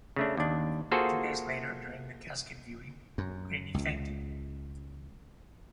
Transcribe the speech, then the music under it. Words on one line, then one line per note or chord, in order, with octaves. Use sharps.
Two days later during the casket viewing, Graney fainted.
C#3 A3 D4
D#2 D4
A#3 F4 F#4 G#4 A4 C5
F#2
C#2